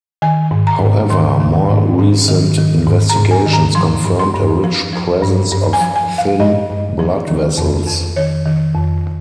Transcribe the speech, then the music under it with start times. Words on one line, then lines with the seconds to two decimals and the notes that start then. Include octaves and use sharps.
However, more recent investigations confirmed a rich presence of thin blood vessels.
0.22 D#3 G#5
0.51 G#2
0.67 A#5
0.80 G#2
1.10 D#3 C6
1.40 D#3
1.69 G#2
1.99 G#2
2.28 D#3
2.58 D#3
2.87 G#2
3.09 A#5
3.17 G#2
3.31 G#5
3.46 D#3
3.53 A#5
3.75 F3 C6
4.04 G2
4.19 C6
4.34 G2
4.64 F3
4.93 F3
5.22 G2
5.51 G2
5.73 G#5
5.81 F3
5.96 G#5
6.11 F3
6.18 F5
6.40 G2 D#5
6.69 G2
6.99 F3
7.28 D#3
7.58 F2
7.87 F2
8.16 D#3 C#5
8.46 D#3
8.75 F2